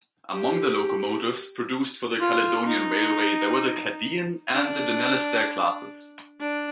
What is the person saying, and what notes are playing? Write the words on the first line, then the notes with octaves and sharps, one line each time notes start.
Among the locomotives produced for the Caledonian Railway were the "Cardean" and "Dunalastair" Classes.
G4
F4
D#4
D4
D4